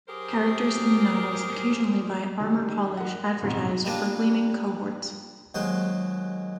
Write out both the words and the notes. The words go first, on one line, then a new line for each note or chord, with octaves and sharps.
Characters in the novels occasionally buy Armour Polish advertised "For Gleaming Cohorts".
F#3 G4 G#4 A#4 C5
F#2 D#3 G3
A#4 F#5
A#1 E2 G#2 C3
G3 A#3 D4 F4
D#2 F#3 G#3 C5